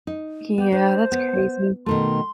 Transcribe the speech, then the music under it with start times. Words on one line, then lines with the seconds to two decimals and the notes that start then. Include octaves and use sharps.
Yeah, that's crazy.
0.07 D#4
0.58 B3 G4
0.72 D4 C5
1.12 B3
1.86 B2 D#3 A3 C6